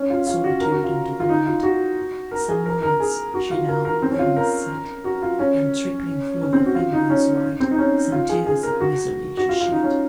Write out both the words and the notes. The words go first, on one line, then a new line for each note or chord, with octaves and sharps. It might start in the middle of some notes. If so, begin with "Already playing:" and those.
To solitude and to the night, Some words she now, in murmurs, said; And trickling through her fingers white, Some tears of misery she shed.
Already playing: C#4
F4
F4
F#4
A#4
F#4
F4
F4
D#4
F4
F#4
A#4
G#4
A#4
A#4
G#4
F#4
F4
A#4
A#4
C4
C#4
F4
A#4
F#4
F4
C#4
C#4
C4
F#4
F4
D#4
C#4
C4
D#4
C#4
F4
G#4
G#4
A#4
F#4
F#4
F4
F4
D#4
C#4